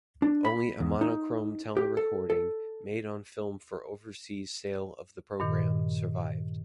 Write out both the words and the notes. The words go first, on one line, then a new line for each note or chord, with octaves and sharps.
Only a monochrome telerecording, made on film for overseas sale of the programme, survived.
D4
B5
E2
D#4
G4
A4
A4
G2 A#2 D#3